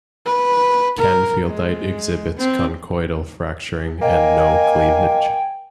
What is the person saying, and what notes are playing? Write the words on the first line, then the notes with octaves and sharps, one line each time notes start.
Canfieldite exhibits conchoidal fracturing and no cleavage.
B4
A#4
G#3
C4
A#3 D#5 G5 G#5